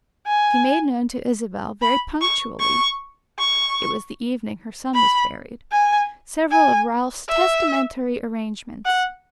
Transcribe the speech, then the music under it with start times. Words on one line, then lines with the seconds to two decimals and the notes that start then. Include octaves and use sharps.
She made known to Isabel very punctually--it was the evening her son was buried--several of Ralph's testamentary arrangements.
0.26 G#5
1.81 B5
2.21 C#6
2.60 C#6
3.39 C#6
4.94 B5
5.72 G#5
6.51 G#5
7.29 E5
8.85 F#5